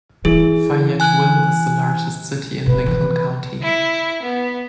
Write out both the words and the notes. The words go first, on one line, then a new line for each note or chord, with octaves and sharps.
Fayetteville is the largest city in Lincoln County.
E3 G#4
G#5 F#6
F2 B2 B4
E3 F3
E4
B3